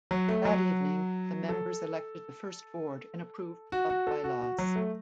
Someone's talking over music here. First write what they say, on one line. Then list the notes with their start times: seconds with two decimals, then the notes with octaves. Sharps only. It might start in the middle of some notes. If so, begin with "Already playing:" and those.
That evening the members elected the first board and approved club bylaws.
0.11 F#3
0.29 A3
0.45 F#3
1.49 A4
3.72 F#4
3.90 F#4
4.07 A4
4.24 F#4
4.42 F#4
4.59 F#3
4.76 A3